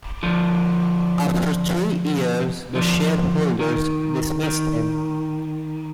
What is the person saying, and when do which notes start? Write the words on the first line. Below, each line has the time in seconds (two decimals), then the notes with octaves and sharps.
After three years the shareholders dismissed him.
0.23 D3 F3
2.75 D3 F3
3.59 D#3
4.43 D#3